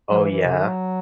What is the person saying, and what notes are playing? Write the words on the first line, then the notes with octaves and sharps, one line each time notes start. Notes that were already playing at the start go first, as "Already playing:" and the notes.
Oh, yeah?
F#3
E3
E3
C3
D3
F#3